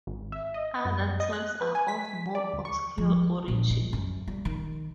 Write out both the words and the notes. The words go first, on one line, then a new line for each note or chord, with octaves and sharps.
Other terms are of more obscure origin.
G#1
E5
D#5
F#2
D#5
F#6
B4
G#5
B6
D5
D2
C#6
F3
A#1
G#3
F#2
G3
D#3